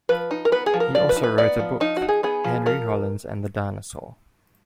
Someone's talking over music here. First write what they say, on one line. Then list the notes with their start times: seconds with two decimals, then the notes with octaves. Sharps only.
He also wrote a book, "Henry Hollins and the Dinosaur".
0.09 F3 B4
0.31 D#4
0.45 A#4
0.52 B3 B4
0.66 G#4
0.74 F3
0.80 A#4
0.95 F3 D5
1.09 B4
1.16 D#4
1.23 B4
1.38 B3 D5
1.59 F3
1.80 F3 D#4
1.97 F#4
2.02 D#4
2.09 G#4
2.23 B3 G#4
2.44 F3
2.66 F3 A#4